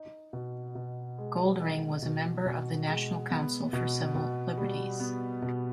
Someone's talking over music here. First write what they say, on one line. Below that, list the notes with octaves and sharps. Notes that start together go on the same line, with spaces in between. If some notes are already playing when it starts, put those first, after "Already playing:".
Goldring was a member of the National Council for Civil Liberties.
Already playing: D#4
B2
B2
G#3
D#4
B2
B2
G#3
B3
B2
B2
G3
B3
B2